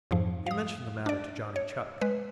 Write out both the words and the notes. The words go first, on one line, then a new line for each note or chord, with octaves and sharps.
He mentioned the matter to Johnny Chuck.
F2 G#2 F3
F5 D#6
D4 D5
C#5
G#3 B4